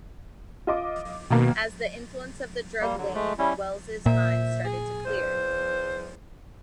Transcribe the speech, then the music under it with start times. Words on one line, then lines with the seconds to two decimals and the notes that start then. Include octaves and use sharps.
As the influence of the drug waned, Wells' mind started to clear.
0.67 F4 D#5 D6
1.30 B2 D#3 A#3
2.81 G3 A#3
2.98 D3 F#3
3.15 G#3 A3
3.39 G3 C#4 E4
4.06 A#2 C5 E5
4.64 G#4
5.05 E2 C5